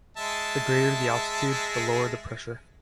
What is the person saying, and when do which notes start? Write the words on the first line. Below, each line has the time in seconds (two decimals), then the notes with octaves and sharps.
The greater the altitude, the lower the pressure.
0.17 G#3 E5 A5